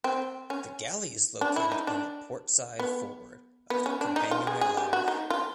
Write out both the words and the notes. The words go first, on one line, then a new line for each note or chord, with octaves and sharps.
The galley is located on the port side forward of the companionway ladder.
C4
C#4
D4
E4
D#4
D4
B3
B3
C#4
D4
D#4
F4
G#4
G#4
G4
F#4
D#4
F4